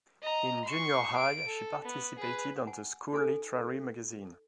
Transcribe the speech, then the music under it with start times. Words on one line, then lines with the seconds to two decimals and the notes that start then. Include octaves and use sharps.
In junior high, she participated on the school literary magazine.
0.23 D#5 A#5
0.66 C6 C#6
1.17 D7
1.46 A4
1.85 B3
2.19 G#4 B4
2.67 F#5 G#5
3.13 D#4 A4 G#5